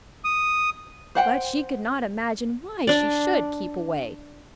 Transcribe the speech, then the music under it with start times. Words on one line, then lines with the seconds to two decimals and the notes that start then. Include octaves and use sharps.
But she could not imagine why she should keep away.
0.24 D#6
1.15 C5 F#5 G5
2.87 D4 D5